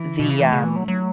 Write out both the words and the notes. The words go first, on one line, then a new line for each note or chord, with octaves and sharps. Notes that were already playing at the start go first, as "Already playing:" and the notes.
the, um
Already playing: E3
B2
C#3
E3 A3
C#3
E3
F#3
F#3